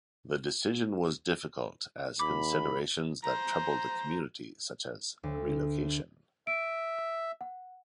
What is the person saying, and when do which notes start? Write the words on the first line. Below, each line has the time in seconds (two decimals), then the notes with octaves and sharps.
The decision was difficult as considerations that troubled the community such as relocation.
2.19 D#2 B5 D6
3.23 C5 A#5
5.23 D2
6.47 E5 D7
7.41 F#5